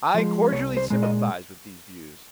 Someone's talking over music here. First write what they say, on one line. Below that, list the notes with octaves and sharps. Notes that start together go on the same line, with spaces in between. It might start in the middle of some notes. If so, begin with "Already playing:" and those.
I cordially sympathized with these views.
F3 G#3
C2 C#5
C5
A#2 G#3
D#5